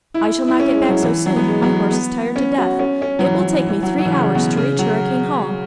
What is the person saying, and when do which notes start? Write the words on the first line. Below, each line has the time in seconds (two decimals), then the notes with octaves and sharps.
I shall not get back so soon; my horse is tired to death; it will take me three hours to reach Hurricane Hall.
0.14 E4
0.48 E4
0.60 C#4
0.74 G#3
0.88 F#3
1.03 E3
1.26 F#3
1.36 B3
1.48 G#3
1.62 F#3
1.76 G#3
1.91 B3
2.36 C#4
2.58 F#4
2.79 C#4
3.02 C#4
3.19 F#3
3.25 E3
3.39 F#3
3.53 E3
3.69 E3
3.83 F#3
3.98 F#3
4.06 E3
4.12 C#3
4.35 B2
4.57 C#3
4.79 F#3